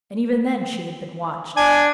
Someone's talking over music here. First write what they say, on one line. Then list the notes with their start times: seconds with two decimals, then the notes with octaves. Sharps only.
And even then she had been watched.
1.57 D4 G#5